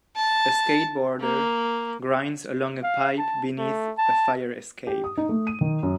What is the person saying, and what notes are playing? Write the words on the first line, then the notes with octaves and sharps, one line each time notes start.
A skateboarder grinds along a pipe beneath a fire escape.
A5
A#3
F5
A5
A3
A5
G4
D#6
D#4
A3
D#7
D#3
F#2